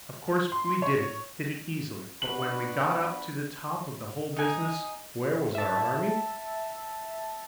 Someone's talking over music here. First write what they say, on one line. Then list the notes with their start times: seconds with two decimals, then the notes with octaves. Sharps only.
Of course we did it--did it easy; but when we got up to the top of the whole business, where was our army?
0.52 C6
0.82 C#5
2.22 B3 D4 F#4 B4 B5 F#7
4.37 D#4 G#5 D#6
5.55 E5 A5